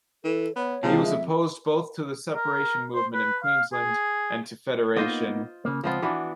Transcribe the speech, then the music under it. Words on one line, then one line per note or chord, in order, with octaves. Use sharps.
He was opposed both to the separation movement in Queensland and to federation.
E3 A4
B3 C#5
D#2 C3 F3 G#3
F2 E5
A#4
C5
B4
F5
G#4
A#3 B3 D#4 F4 C5 D#5
C#3 A#3
C#2 F3 B3 C4 F4
E3 B3 D4 F#4